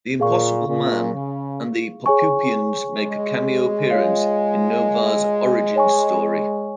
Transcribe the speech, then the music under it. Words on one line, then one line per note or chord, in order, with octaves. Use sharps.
The Impossible Man and the Poppupians make a cameo appearance in Noh-Varr's origin story.
A#2 G#4 F5 C#6
A#2
C#3
G#4 C#5 G#5 C#6
G#3
F4 C#5 F5
C#5 G#5 C#6